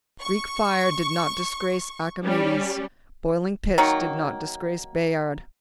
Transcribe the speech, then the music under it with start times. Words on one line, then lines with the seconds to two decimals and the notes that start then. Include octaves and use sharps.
Greek fire did not disgrace Archimedes, boiling pitch did not disgrace Bayard.
0.22 C#6
2.24 G3 C#4
3.78 D#3 F#3 A#3